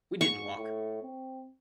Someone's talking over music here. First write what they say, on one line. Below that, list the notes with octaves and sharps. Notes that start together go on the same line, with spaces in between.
We didn't walk.
G#2 C#6
A2
C4